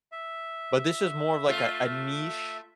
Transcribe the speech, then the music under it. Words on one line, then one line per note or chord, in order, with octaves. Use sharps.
but this was more of, like, a a niche
E5
A3 F4